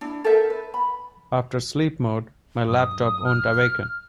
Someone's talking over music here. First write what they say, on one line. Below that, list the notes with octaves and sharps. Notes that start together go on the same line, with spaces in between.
After sleep mode, my laptop won't awaken.
D4 E4
A4 A#4 C5 E5
B4
B5
G2 F#3 D#6
F6